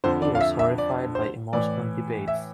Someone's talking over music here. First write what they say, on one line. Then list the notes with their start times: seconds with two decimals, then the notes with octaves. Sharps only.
He was horrified by emotional debates.
0.04 F2 D3 C5
0.22 D5
0.35 F5
0.41 E5
0.59 E5
0.78 D5
1.15 C5
1.53 A2 E3 D5
2.28 E5